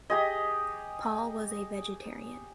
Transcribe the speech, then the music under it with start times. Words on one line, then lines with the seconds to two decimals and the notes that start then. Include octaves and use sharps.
Paul was a vegetarian.
0.10 G4 G#4 D#5